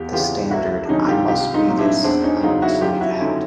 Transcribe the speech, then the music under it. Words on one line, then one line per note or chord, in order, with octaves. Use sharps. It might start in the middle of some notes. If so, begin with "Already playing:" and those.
the standard. I must be this, I must be that.
Already playing: E2 F4 G4
C#3 E3 F4 G4
C#2 E4 F#4
D4
C3 D#3 F#3 C#4 D#4
F4 G4
C2 F4 G4
D#4 F4
A#2 F#3
D4 E4
E2 C4 D4
C#4 D#4
C#3 F#3 D#4 F4
E4 F#4
F#2 F4 G4
E4 F#4
E4
D3 F#3 C#4 D#4